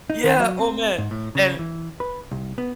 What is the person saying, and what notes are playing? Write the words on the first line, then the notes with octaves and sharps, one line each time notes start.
Yeah, oh man, and
D#4
D#3
F#3
C4
G#2
A2
C#3
E3
B4
C2
B3